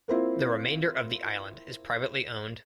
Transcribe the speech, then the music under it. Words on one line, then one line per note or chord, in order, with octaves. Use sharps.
The remainder of the island is privately owned.
A#3 C4 E4 F4